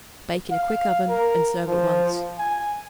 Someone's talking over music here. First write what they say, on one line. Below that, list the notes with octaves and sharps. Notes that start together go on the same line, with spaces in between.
Bake in a quick oven and serve at once.
F5
A#4
F3
G#5